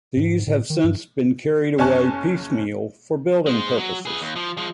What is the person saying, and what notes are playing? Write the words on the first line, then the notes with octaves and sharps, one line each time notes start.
These have since been carried away piecemeal for building purposes.
G#2
A2
D#3
G2
F#1 C#4 G#5 A5 C#6 F#6
G#3 C5
F#3
G#4 B4
D#2
F3
F3 G#3